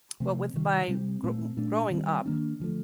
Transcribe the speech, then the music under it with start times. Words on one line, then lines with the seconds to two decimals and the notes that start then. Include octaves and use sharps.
Well, with my gro growing up,
0.20 C3 F3 A3 C4
0.54 C3 D#3 G3
0.88 C3 G3 C4
1.23 A#2 A3 C4
1.57 A#2 A3 D4
1.90 D#3 G3 C4
2.26 D#3 A#3 D4
2.60 D3 F3 A3